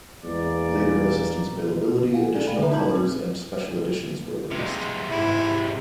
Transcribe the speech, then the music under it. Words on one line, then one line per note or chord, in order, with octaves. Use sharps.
Later in the system's availability, additional colours and special editions were released.
E2 G#3 A#3 D5
F5 F#5 G#5
C#4 A4 D5 G#5
A4 D5 F5 G5 G#5 B5
D3 A#3 E5 A#5
D#4 A5 B5 G6 F#7
C4
C3 G#3 F5
G#2 E4 G4